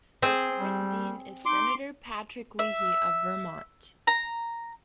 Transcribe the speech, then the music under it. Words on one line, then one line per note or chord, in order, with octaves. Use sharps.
The current Dean is Senator Patrick Leahy of Vermont.
C4 G#4 C5
G3
D#4 C6 D6
E5
A#5